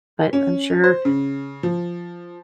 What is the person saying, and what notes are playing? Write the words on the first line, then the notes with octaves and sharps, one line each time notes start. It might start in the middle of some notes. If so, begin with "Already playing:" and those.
But I'm sure
C#4
C5
C#3
F3